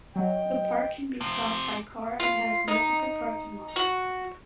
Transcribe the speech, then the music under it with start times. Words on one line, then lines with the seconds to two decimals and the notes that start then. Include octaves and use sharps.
The park can be crossed by car and has multiple parking lots.
0.16 F#3 D#5 G5
1.21 C3 F3
2.20 F4
2.68 D#4
3.76 F#4